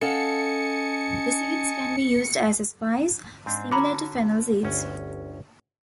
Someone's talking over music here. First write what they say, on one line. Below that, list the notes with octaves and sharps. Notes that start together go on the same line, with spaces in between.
The seeds can be used as a spice, similar to fennel seeds.
C#4 A4 D#5 F5 F#5 G#5 A5 C#7
G#2 C4 D4
D3 C#4 F#4 A#5 B5 D6
G1 D2 C#4